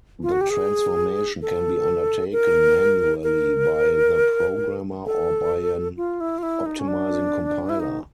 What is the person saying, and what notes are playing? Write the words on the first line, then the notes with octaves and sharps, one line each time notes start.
The transformation can be undertaken manually by the programmer or by an optimizing compiler.
F4
F#4
G4
G#4
A4
A#4
A#4
A4
F4
E4
F4
E4
D#4
C#4
D4
E4
D#4